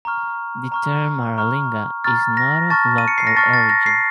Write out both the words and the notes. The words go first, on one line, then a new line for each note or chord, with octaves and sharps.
The term "maralinga" is not of local origin.
A#5 C#6 F6
A#5 C#6 F6
A#5 C#6 F6
A#5 C#6 F6 A6
A#6
A5 C#6 F6 A6
D#7
C#7
C7
A#6
A5 C#6 F6 A6
A6
A#6
C7